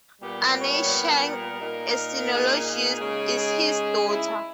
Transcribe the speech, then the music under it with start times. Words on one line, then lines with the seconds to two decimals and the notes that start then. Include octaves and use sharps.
Anne Cheng, a sinologist, is his daughter.
0.21 A#2 G3 B3 G4
0.56 C#5
0.91 B4
1.26 A#4
1.61 A#2 A#3 D#4
2.31 G#4
3.00 C#3 G#3 D#4
3.35 G#4
4.05 E4